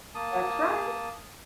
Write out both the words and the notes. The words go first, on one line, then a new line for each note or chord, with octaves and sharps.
That's right.
A#3 A5 D#6